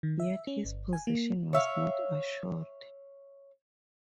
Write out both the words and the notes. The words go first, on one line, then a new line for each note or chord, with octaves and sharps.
Yet his position was not assured.
D#3
E5
C#4
G1
G#5
A#3
C#5 E5 F5